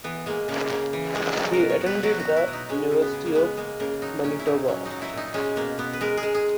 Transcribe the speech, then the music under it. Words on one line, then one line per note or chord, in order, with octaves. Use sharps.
He attended the University of Manitoba.
E3 B3
G#3 A#3
C#3 A#3
C#3 A#3
E3
G#3
F#3
A#4
B2
C#5
B2
B4
F#3 F#4
F#4
F#3
E4
B2
D#4
G#3 C#4
C#3
B3
C#3
A#3
G#3 B3
G#3 A#3
C#3 A#3
F#3 D#4
A#2 C#4
E4
A#2 D#4
F#3 C#4
D#4
F#3
E4
A#2 D#4
G#3 C#4
B2 A#3
B2 B3
B4
G#3 A#4
G#4
G#3
G#4